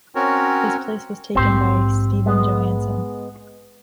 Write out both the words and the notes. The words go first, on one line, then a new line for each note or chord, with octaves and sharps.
His place was taken by Stefan Johansson.
C4 C#4 F#4 A#4 C#5
A#1 G#2 C4 G4 C5
G#3 B3